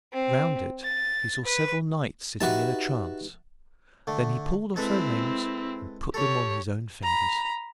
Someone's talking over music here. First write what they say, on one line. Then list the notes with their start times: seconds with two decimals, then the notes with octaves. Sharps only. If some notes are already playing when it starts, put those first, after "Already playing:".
Around it he saw several knights sitting in a trance; then he pulled off their rings and put them on his own fingers.
0.13 C4
0.84 A6
1.46 B4
2.41 D#4 F#4 G4 B4 E5 A5
4.07 D3 A3
4.76 G#3 C4 E4 A4 B4
6.14 G4 A4 C#5
7.03 A#5 B5